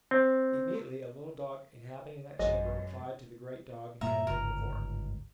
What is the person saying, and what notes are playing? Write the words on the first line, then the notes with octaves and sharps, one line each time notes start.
Immediately a little dog inhabiting that chamber replied to the great dog inhabiting the court.
C4
A1 F#2 F#3 G#3 D#5
G2 A#2 A#3 E5 A#5
G1 C#2 G#2 A#4